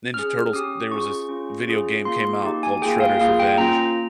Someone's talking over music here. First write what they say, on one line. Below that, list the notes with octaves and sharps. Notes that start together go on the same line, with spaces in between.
Ninja Turtles, there was this video game came out called Shredder's Revenge,
C#4 G#4 F6
C#4 G4 D#6
C#4 F4 G#4 C#6
C#4 F4 G#4
C#4 F4 G#4
A#3 F4 G#4 C6
A#3 D#4 G4
G#5
A#3 F4 G#4 G5
F5
A#3 F4 G#4 F5
G5
A#3 C#4 F4 A#5